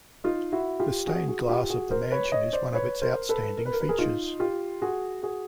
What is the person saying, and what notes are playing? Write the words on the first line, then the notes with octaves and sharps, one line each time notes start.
The stained glass of the mansion is one of its outstanding features.
D#4 F4
E4 F#4
F4 G4
F#4 G#4
F#4 G#4
F4 G4
F#4 G#4
A#4 C5
B4 C#5
C#5 D#5
C5 D5
B4 C#5
A#4 C5
A4 B4
A#4
B4
A#4
B4
G#4 A#4
D#4 F4
F4 G4
F#4 G#4
F#4 G#4